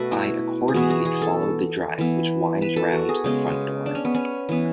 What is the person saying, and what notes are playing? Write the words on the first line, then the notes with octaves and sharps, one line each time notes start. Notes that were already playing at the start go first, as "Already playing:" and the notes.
I accordingly followed the drive which winds round to the front door.
Already playing: B2 A3 F#4 A4 B4
E4
G#4
E3 B3 F#4
G#4
G#4
A4
E3 B3
B4
A4
F#4
G#4
C#3 G#3 B3
D4
C#4
B3
C#4
E3 B3